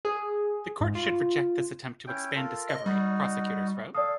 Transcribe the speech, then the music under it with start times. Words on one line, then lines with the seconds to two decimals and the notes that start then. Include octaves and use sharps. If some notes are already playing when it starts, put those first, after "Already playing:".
"The court should reject this attempt to expand discovery," prosecutors wrote.
0.05 G#4
0.80 G#2
0.95 F4
2.07 C#4 E4 G5
2.35 F4 A4 A#4
2.69 D#5
2.86 G3 D#4 F#4
3.95 A4 D5 F5 D#6